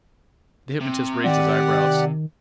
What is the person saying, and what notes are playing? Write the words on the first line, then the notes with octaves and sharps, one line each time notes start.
The hypnotist raised his eyebrows.
C3
D#3 G4 D5 F#5